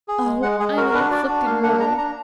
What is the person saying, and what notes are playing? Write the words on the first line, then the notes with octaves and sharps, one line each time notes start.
Oh, I am an afflicted mortal.
G#4
G#3
G#3 F#5
G#3 G#4
F#4 A#4
A#4
D4 B4
F#4 D5
D4
A#3 F5
D4 F#5
D4 A#5
D4 A#5